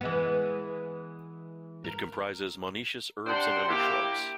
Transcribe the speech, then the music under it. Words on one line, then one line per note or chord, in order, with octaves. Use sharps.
It comprises monoecious herbs or undershrubs.
E3 G#3 B3
A#4
C3 D4 C5 F#5 G5 C6
A#3 E4 G4